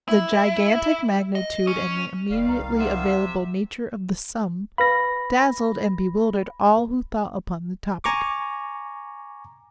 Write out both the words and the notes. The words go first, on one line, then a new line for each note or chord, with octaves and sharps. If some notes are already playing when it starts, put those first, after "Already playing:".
The gigantic magnitude and the immediately available nature of the sum, dazzled and bewildered all who thought upon the topic.
E4
D#5
C#4
E1 D#3 G3 D5 F5
C2 A#5
C3 E5 F#5
B4 F5 B5 A#6
G#5 A#5 C#6 D6